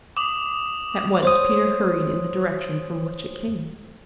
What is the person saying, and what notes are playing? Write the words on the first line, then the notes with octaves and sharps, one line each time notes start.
At once Peter hurried in the direction from which it came.
D6 D#6 F7 F#7
C5 C#5 D#6